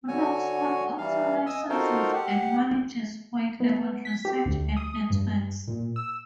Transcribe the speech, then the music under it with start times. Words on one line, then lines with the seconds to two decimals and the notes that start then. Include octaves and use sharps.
LookSmart also licenses and manages 'white label' search ad networks.
0.08 D3 F#4 C#5 G#5
0.98 E3 G3 F5
1.46 D#5 G#5 E6
1.70 D#4 F4 F#4 A4 A#4 C5
2.13 G4 F#5
3.60 B3
4.05 B6
4.25 G4
4.46 D2
4.77 D#6
5.10 G2
5.68 A#2
5.96 E6